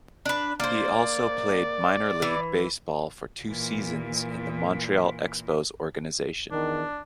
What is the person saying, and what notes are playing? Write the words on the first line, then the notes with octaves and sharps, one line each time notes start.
He also played minor-league baseball for two seasons in the Montreal Expos organization.
D4 B4
A#3 C5 D5
E3
A#2 E3
E2 D#3 D4